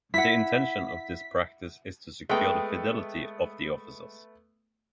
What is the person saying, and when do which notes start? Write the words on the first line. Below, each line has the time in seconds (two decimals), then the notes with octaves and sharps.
The intention of this practice is to secure the fidelity of the officers.
0.14 E4 F#5 B6
2.29 G#3 A3 B3 G5